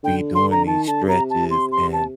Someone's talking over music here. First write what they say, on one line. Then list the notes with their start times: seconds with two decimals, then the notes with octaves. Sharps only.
be doing these stretches and
0.03 D3 G5
0.35 D3 C6
0.51 A#5
0.66 D#3 A5
0.87 D3 A5
1.08 C3 A#5
1.30 A5
1.50 C6
1.72 C6
1.93 A5